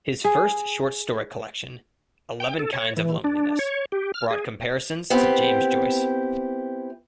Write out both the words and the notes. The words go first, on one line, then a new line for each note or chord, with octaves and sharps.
His first short story collection, "Eleven Kinds of Loneliness", brought comparisons to James Joyce.
G#4
G5
A4
C#5
E3
D4
C#5
G4
F6
G#4
B3 C4 E4 G4